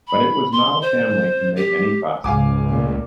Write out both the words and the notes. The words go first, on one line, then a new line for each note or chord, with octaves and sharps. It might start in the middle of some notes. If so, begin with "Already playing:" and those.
But it was not a family to make any fuss.
B5
C6
C5
G4
C#2 G#2 C#3 F5 G#5 D6
A#2 A3